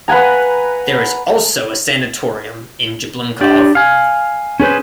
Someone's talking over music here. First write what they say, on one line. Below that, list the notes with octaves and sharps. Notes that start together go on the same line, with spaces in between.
There is also a sanatorium in Jablunkov.
B4 F#5 G#5 A#5
D4 G4 D5
F5 G#5
C#4 G#4 B4 C5